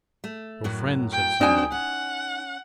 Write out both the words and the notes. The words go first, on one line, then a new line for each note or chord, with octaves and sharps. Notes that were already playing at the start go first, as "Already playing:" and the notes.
"Your friend," said somebody.
A3
F#2 A2 F#3
G5
F#3 C4 D4 D#4 G#5
C#4 F#5